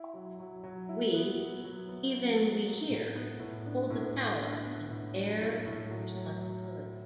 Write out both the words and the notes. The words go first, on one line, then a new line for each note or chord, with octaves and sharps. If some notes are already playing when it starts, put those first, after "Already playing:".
We, even we here, hold the power and bear the responsibility.
Already playing: E4
F#3
F#3
F#3
E4
B3
B3
F#3
B3
F#3
F#3
F#3
A2
B3
A2
D4
A2
B3
D4
B3
A2
F#3
A2
A2
F#3
F#3
F#3
F#3